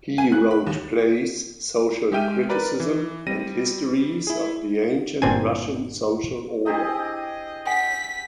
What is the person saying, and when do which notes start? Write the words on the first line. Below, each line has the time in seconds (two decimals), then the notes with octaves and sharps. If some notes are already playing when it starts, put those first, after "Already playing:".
He wrote plays, social criticism, and histories of the ancient Russian social order.
0.18 G#5
0.32 F#6
0.51 B5
0.67 D#2
2.12 G#3 G4 E5 G5 F6 D#7
2.49 A#4 B4 D5
2.80 E3
3.27 G3 C4 A#6 D#7
4.27 E4 G#4
5.22 G1 A#2 C4 D4 G#5
6.66 C4 D4 E4 G4 G#4 D#5
7.67 F#5 G#5 B6